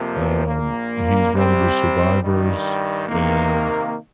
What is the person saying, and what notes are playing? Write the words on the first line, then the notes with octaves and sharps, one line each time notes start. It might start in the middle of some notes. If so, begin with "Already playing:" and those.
um, he's one of the survivors, and
Already playing: F2 C3 F3 A#3
A#1 A#2 A#3
C2 C3 G3 C4 G4
G2 D#3 G3
C3 D#3 A#3